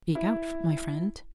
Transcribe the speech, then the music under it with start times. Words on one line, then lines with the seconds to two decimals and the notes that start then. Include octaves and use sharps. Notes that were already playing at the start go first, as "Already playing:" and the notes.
"Speak out, my friend."
0.15 E4